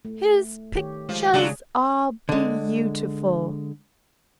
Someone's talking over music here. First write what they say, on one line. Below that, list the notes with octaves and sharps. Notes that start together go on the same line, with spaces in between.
His pickchahs are beautiful.'
A3
D#3 G4 C#5
F3 G#3
C#3 F#3 C#4 D4 F4 G#4
D3 G#3